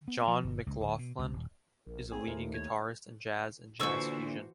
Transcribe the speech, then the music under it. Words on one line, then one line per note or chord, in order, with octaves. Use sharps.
John McLaughlin is a leading guitarist in jazz and jazz fusion.
B3
F3
G1
C#2
D1
B2
C#2
D#1
A#1 A#4
A3 C4 G#4
D#2 E4 A#4 C5
C#5
A#2 D3 E3 F#4 C5 C#6 E6